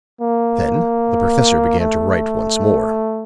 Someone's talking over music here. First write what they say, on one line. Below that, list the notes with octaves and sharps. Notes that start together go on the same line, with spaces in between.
Then the professor began to write once more.
A#3
A3